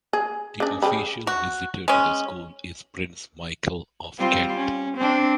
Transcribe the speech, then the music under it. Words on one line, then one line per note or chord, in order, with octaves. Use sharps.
The official Visitor to the school is Prince Michael of Kent.
G#4
C#3 D4
C#3 G4 B5
F#4
G#3 C#4
G3 C4 F4
C#4
C4 D4